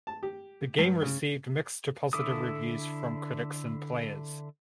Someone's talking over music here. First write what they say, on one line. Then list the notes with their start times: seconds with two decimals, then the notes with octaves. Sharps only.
The game received mixed to positive reviews from critics and players.
0.07 A5
0.23 G4
0.79 G2
1.03 C#3
2.13 D3 E4 A4 D6 D#6